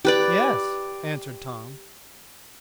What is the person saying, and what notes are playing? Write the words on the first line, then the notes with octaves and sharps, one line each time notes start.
"Yes," answered Tom.
G4 B4 D5